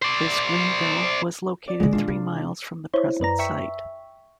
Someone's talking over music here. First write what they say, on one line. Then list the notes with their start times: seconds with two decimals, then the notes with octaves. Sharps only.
This Greenville was located three miles from the present site.
0.02 C5 D5
1.68 D5
1.80 A#2 C#3 G#3
1.92 A#2 D#3 D4 F4
2.08 C3
2.94 E4 C5 C#5
3.20 F#2 B4 D5 A#5
3.39 E5 G5 C#6 E6 B6